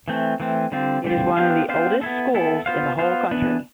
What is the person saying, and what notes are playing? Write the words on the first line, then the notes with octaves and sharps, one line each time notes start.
It is one of the oldest schools in the whole country.
E3 A3 C4
E3 A3 C4
D3 G3 C4 F4
D3 G3 C4 F4
B3 D4 G4 C5 F5
B3 D4 G4 C5 F5
B3 E4 A4
B3 E4 A4
B3 F4 C5 F5
B3 F4 C5 F5
E3 B3 D4